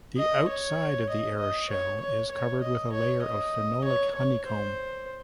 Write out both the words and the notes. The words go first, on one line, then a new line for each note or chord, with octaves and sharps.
The outside of the aeroshell is covered with a layer of phenolic honeycomb.
D#5
C#5
D#5
D#5
C#5
C#5
C#5
D#5
C#5
D#5
C#5
C#5
C5